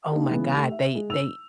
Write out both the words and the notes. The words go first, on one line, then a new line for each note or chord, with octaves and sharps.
oh my god, they they
A#3 D#4 G4
C#3 E3 G#3 B3
A3 G4 F7
E5
G#3
E6 F7